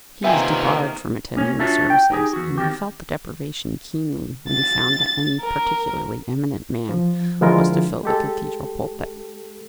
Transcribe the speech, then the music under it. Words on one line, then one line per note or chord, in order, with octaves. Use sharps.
He was debarred from attending the services, and he felt the deprivation keenly when he found that any particularly eminent man was to fill the cathedral pulpit.
C3 D#3 A#3 B3 F4 E5 G5 G#5
A#3 C#4 C#5
D4 F4 F#4 A4 C#5 E5
G5
D#4 G4 G#4
E2 F#4
D#3 C4 G4
A6
A#4
F3
D3 F3 G#3 E4 F4 A#4
G#3 G4 A4